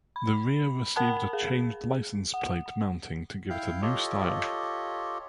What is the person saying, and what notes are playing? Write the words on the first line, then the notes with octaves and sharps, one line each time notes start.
The rear received a changed license plate mounting to give it a new style.
B5
A#4 F#5 A5 B5
G#4
F#5
E4 F5 G5
F4 G4 A4 C#5 D#5